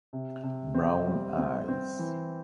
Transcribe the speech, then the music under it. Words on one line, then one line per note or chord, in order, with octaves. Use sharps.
Brown eyes.
C3
C3
C4
G3
C4
C4
E3